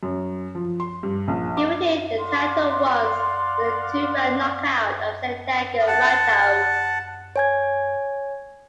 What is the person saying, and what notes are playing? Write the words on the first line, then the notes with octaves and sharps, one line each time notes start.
He retained the title once, with a two-round knockout of Santiago Matos.
F#2
F3
C6
G2
A#1
D6
D5 F5 F#5 C6
F#5 A5
C#5 G#5 G#6